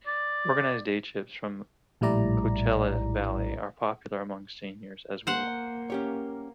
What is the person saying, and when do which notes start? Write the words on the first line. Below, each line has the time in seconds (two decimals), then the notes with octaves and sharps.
Organized day trips from the Coachella Valley are popular among seniors as well.
0.07 D5
2.01 A#1 A2 G3 E4 D5 A#5
5.27 A#3 C5 F#5
5.90 C#4 G4 C#5